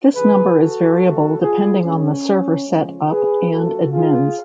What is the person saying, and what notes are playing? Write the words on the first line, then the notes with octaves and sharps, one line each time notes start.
This number is variable depending on the server set up and admins.
F2 D3 F3 G#4 B4
F#4 A4
C#3 F#3 A3
F4 G#4
F2 D3 G#3 C#4
F2 C#3 F3 G#3 C#4 F4
G#4 B4
F#2 F3 A3 F#4 A4
F4 G#4